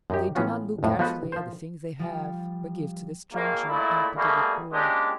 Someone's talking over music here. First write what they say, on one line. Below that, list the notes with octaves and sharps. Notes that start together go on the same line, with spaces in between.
They do not look carefully at the things they have, but give to the stranger and pity the poor.
F#2 D#4 G4
A2 E3 B3 C#4 F4 F#4
F2 A2
F3 G#3 B3 F#4 A4 B4
F3 C5
F3 G3 F4
G#1 A#3
G#1 A#2 A3 E4
C2 B2 G3 A3 A#3 G#4
A#2 G#3 C#4 D4 G4